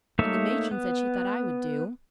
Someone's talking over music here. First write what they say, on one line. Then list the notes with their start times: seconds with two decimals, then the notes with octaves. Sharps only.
And the matron said she thought I would do.
0.19 A3 A#3 D#4 C#5 E5
0.71 B3